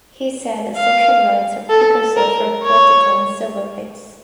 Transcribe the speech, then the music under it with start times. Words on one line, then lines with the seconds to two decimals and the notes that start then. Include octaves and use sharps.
He said that social rights are a precursor for political and civil rights.
0.77 F5
1.70 A4
2.17 A#4
2.64 C#5